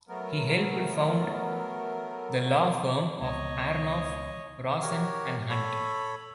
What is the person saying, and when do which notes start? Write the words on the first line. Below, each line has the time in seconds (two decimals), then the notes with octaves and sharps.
He helped found the law firm of Aronoff, Rosen and Hunt.
0.09 F#3 A3 B3 A#4
3.20 C#2 B2 C#5 D#5
4.82 F#4 G4 A#4 C#5
5.49 A4 C#5 B5